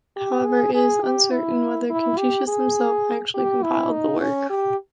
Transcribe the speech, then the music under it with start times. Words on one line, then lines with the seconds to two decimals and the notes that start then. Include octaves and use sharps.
However, it is uncertain whether Confucius himself actually compiled the work.
0.16 G4
0.45 G#4
0.74 G#4
1.03 G4
1.31 E4
1.90 E4
2.18 G4
2.48 G#4
3.34 G4
3.63 E4
3.92 D#4
4.21 C#4
4.50 G4